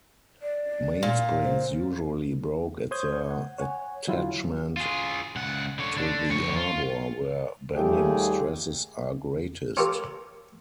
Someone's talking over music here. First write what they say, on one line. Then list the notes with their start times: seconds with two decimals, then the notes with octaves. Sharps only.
Mainsprings usually broke at their attachment to the arbor, where bending stresses are greatest.
0.42 D5
1.03 A#2
1.42 C5
2.91 C5 C#5 D#6 G6 G#6
3.30 F#5
3.59 C#5 F#5 G#5
4.07 D3 F#3 E4 F4
4.77 F4 G#4
5.36 C#2 F#5
5.79 D3 C#5
5.97 D3 D4
6.30 F2 C#5
6.56 F4
7.75 D#2 G3 A3 F4 G4 G#4
9.77 C#4 F4 G4 A4 A#4